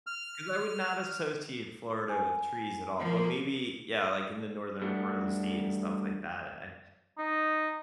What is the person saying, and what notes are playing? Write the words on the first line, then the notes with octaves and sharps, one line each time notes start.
'Cause I would not associate Florida with trees at all, but maybe, yeah, like, in the northern part of the state and stuff like that, I
F6
G#5
F3 A#3
G3 A3 D4 F#4
D#4